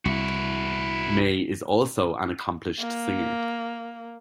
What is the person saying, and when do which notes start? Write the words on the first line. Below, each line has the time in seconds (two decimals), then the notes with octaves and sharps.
May is also an accomplished singer.
0.05 C2 E4 F#4
2.80 A#3